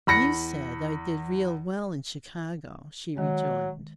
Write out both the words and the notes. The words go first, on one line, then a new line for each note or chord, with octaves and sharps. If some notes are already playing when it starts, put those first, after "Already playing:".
"You said I did real well in Chicago," she rejoined.
E2 B5 A#6 C#7
D#3 F#3 G#3